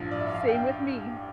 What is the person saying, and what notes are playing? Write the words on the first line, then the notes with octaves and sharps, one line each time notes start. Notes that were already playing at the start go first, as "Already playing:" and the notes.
Same with me.
Already playing: A1 G2 F3
D5
E5
F5
G5